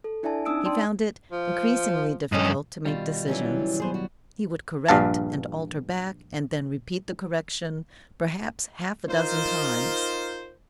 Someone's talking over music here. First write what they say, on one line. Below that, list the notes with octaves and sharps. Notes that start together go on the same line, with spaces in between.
He found it increasingly difficult to make decisions; he would correct and alter back and then repeat the correction, perhaps half a dozen times.
A4
D4 E4 D5 E5 G#5 A5
C4 D4 D#4 D#6 E6 D7
D5 G5 A5 C6
F3
G2 C#4 D#5
B2 D#3 G3 F4
E3 F#3 C#4
F#3 B3 G#4 C5
F#4
A#1 G2 F5 A5
D#4 F4 A#4 C5